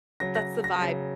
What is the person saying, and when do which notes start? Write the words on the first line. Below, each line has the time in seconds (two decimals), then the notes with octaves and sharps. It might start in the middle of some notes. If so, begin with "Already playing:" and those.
That's the vibe.
0.20 C#3 F#3 A#6
0.35 A#6
0.64 A#6
0.79 C#3 F#3